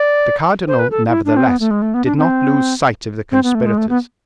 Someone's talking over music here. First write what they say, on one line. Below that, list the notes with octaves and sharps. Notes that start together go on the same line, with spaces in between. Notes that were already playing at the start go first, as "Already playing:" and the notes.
The cardinal, nevertheless, did not lose sight of the conspirators.
Already playing: D5
C5
B4
A4
E4
D4
C4
B3
A3
G#3
A3
B3
D4
C4
C4
B3
A3
G#3
A3
B3